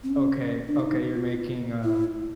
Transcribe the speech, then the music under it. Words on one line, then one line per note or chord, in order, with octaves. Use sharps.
okay, okay, you're making a
C4
C#4
D4
D#4
F4
E4